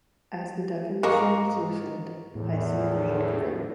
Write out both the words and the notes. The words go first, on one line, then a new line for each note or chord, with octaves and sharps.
As the definition was loosened, Hyson Green grew.
G#2 G#3 A#3 D#4 A#4 C#6
E2 A2